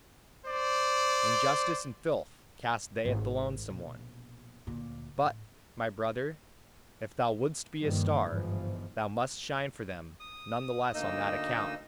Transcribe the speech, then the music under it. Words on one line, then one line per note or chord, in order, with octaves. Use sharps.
Injustice and filth cast they at the lonesome one: but, my brother, if thou wouldst be a star, thou must shine for them none the less on that account!
C5 D5
G#1 D#4
A#1 B2
D2 A#2
A2
G2 D#3 F3 A#3
G1 G#2 E3 F3
D#6
D2 A#3 D#4 D#5 E6